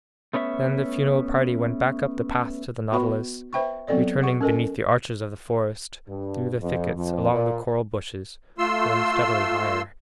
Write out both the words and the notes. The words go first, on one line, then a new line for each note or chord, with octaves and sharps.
Then the funeral party went back up the path to the Nautilus, returning beneath the arches of the forest, through the thickets, along the coral bushes, going steadily higher.
A3 B3 C#4 A#4 E5
B3 F#4 B4 D#5 B5 C#6
B4 C5 E5 G5 B5 C#6
F#3 B3 C4 A4 D5 D#5
G#4 F#5 C#6
C#4 A4 A#4 D#5 G#5
G2
F2
F2
A#2
A3 F4 C6 E6